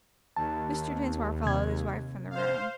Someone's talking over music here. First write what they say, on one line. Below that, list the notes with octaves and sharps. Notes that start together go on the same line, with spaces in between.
Mr. Dinsmore followed his wife from the room.
D#2 A5
C3 G#6
C5 F5